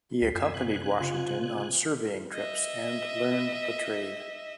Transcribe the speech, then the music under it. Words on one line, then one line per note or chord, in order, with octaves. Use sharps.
He accompanied Washington on surveying trips and learned the trade.
D2 G3 B6 C7
F#2 G#5 E6
C3 G#5 F#6
C#3 F4
D#5 E5